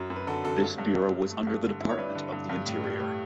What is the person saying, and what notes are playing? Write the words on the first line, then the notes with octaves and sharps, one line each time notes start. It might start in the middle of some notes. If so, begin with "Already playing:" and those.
This bureau was under the Department of the Interior.
Already playing: F#2 F#3
F#2
B4
D3 F#4 A4
F#2 F#4 A4
G2
G2
G2
G2
A3
G2
D3
E4
C#5
G2 B4 D5
D3
G2
G2
A2
G3
A2